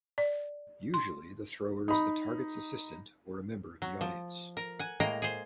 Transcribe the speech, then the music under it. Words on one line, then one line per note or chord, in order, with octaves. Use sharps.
Usually the thrower is the target's assistant or a member of the audience.
D5
C6
D#4 B5
F#3
F3
A#4
F#5 G#5
A2 G#3 A#3 G5 A#5
G#4 C5